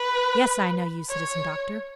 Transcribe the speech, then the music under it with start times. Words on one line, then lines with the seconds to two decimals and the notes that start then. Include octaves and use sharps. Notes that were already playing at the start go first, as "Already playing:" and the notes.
"Yes, I know you, Citizen Doctor."
Already playing: B4
1.09 C#5